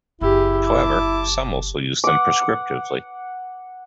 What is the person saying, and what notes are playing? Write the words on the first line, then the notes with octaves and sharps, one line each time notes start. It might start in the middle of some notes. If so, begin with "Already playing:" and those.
However, some also use them prescriptively.
F#1 E4 G4 G#4
A5 D6
F#5 D6